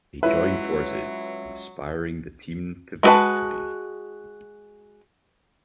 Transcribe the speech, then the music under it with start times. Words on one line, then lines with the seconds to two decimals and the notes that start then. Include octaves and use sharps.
They join forces, inspiring the team to victory.
0.23 F#3 G#3 C#4 E4 F4 B4 E5
3.03 G#3 A#3 F#4 B4 A5